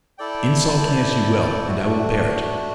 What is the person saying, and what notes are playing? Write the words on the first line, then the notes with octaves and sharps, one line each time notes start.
Insult me as you will, and I will bear it.
E4 A4 D5 G5
A3 D4 F#4